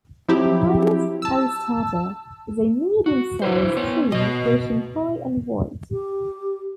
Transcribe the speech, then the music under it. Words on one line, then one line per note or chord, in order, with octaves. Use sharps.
"Pinus aristata" is a medium-size tree, reaching high and wide.
F3 F#3 C4 E4 G4
A5 E6
F#4
E4 B4 C5
B3 C#5
B2 F#4 D#5
G4